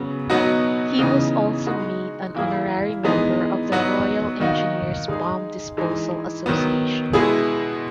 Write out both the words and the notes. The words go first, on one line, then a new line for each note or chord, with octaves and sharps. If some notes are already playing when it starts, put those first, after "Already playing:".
He was also made an Honorary Member of the Royal Engineers Bomb Disposal Association.
Already playing: C#3 F#3 B3
B2 F#3 B3 D#4 F#4
C#3 E3 B3 D#4
G#3 D#4 F#4
E3 A#3 E4 G#4
E3 G#3 B3 D#4
F#3 B3 D#4 F#4
D#3 A#3 D#4 F#4
G#3 D#4 G#4
E3 G#3 D#4
D#3 F#3 B3
B2 G#3 B3 E4 G#4